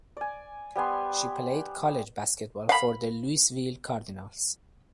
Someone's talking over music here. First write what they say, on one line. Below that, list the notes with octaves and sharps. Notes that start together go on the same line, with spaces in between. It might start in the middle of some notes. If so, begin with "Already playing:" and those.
She played college basketball for the Louisville Cardinals.
D5 G#5
G3 B3 G#5 C6
F5 B5